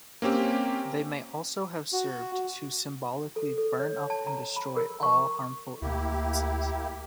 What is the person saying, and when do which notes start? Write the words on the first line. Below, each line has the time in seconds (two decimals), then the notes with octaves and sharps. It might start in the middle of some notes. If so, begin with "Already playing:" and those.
They may also have served to symbolically "burn up and destroy all harmful influences".
0.22 A#3 C4 C#4 G4
1.93 F#4
3.36 A4
3.58 A4
3.79 C#5
4.10 A5
4.27 A#5
4.56 B5
4.77 A#4
5.03 C#6
5.82 D2 A#3 E4 G4